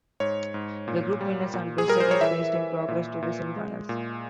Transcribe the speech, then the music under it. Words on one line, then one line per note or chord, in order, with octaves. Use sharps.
The group winners and best second place team progressed to the semi-finals.
G#2 C#5
G#2
A#2
G3
A#2
G#4
G3 A#4
C5
C#5
E3 E5
E3
A#2
A#2
G#3
A#2